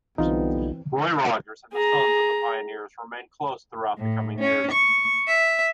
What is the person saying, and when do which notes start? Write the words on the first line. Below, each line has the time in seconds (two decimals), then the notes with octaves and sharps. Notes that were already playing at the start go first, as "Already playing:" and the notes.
Roy Rogers and the Sons of the Pioneers remained close throughout the coming years.
0.18 B1 D3 E3 G3 B3 C4 D#4 F4
1.73 G#4 A#5
3.98 A2
4.39 C#4
4.71 C#6
5.27 E5